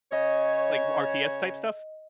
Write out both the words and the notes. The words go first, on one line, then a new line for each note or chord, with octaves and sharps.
like, RTS type stuff?
C#3 C#5 D#5